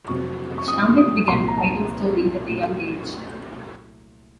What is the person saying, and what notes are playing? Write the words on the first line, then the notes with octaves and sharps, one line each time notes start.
Shamir began writing stories at a young age.
F2 C3 F#3 C4 C#6
C#6
D#6
D#6
C2 A#2 F3 A#3 C6
A#5
A5
A#2 F#3 A3